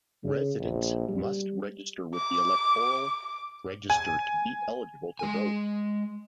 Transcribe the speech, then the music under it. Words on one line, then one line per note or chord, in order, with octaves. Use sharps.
Residents must register with the electoral register to be eligible to vote.
C#3
A#1
G3
D6
G#5
G#3 G#5